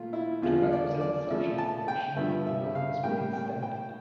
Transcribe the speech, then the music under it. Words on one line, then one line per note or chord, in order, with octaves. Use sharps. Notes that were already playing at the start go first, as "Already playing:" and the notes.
To represent such an operation, the line must be extended.
Already playing: A#2 A3 F4
E4
E2 D3 F3 F4
D5
D5
C#3 F3 A3 E5
A5
G5
G2 D3 F3 E5
E5
F5
A2 G3 A#3 G5
G5
G5